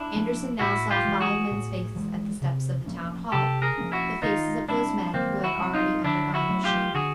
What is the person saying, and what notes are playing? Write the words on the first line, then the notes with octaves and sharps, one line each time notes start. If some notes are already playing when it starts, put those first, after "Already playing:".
Andersen now saw five men's faces at the steps of the town hall, the faces of those men who had already undergone their shame.
Already playing: D4 E4
F3 A#3 C#4
A2 E4 F#4
F4 G4
E3 G#3
F#4 G#4
A2
E3 G#3
C3
F3 A#3 C#4
C3 G4 A4
G#4 A#4
F3 A#3 C#4
E4 F#4
D#3 D#4 F4
G3 C4 D4 E4
D#3 A#3 C4
E4 F#4
G3 C4
D#4 F4
D3 D4 E4
E4 F#4
F#3 A3 C#4
F4 G4
D3 F#4 G#4